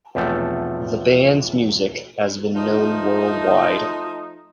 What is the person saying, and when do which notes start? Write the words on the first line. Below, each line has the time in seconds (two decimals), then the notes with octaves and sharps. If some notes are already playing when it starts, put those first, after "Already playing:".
The band's music has been known worldwide.
0.15 B1 E2 C3 F3 A3 A4
2.55 F3 A3 D#4